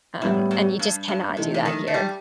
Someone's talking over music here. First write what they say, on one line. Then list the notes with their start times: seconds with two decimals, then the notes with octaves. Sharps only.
Um, and you just cannot do that here.
0.21 F#2 A2 G3 B3 E4
0.51 F#2
0.79 G2
1.08 G2
1.37 C3 E3 A3 D#4
1.54 C3
1.65 D#3
1.87 A3
1.94 G3